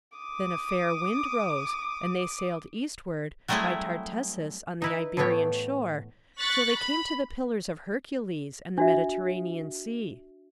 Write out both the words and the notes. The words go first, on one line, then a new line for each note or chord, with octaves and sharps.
Then a fair wind rose, and they sailed eastward, by Tartessus on the Iberian shore, till they came to the Pillars of Hercules, and the Mediterranean Sea.
D6 D#6
F#3 G3 A3 C4 E4 G#4
D#4 E4 B4
A2 E3 A3 B3 C#5 G5
C#6 F#6 A6 B6
B5
D4 F#4 E5